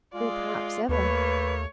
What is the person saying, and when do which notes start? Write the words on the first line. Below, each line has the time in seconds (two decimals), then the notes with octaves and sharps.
"Or perhaps ever."
0.14 G#3 F4 D5
0.89 D#2 A3 A#3 B4 C#5